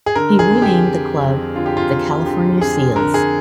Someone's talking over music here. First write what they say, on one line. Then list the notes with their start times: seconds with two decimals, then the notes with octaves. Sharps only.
He renamed the club the California Seals.
0.06 G#4
0.16 D3 A#4
0.39 G#4
0.51 F2
0.62 G4
0.86 D3
1.21 F2
1.55 D3 F4
1.66 G4
1.77 F4
1.91 F2
2.26 D3 G4
2.61 F2 G#4
2.96 D3 A#4
3.14 G#4